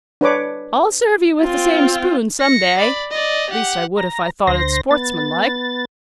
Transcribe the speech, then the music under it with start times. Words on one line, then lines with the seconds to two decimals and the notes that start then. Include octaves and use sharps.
I'll serve you with the same spoon some day, at least I would if I thought it sportsmanlike.
0.21 D4 B4 C#5 D6
1.42 C4 F4
2.40 A#6 C#7
2.78 D5 B5
3.11 D5 D#5
3.51 G4 F#5
3.97 A#5
4.47 D2 C5 A#6
4.91 B3 A6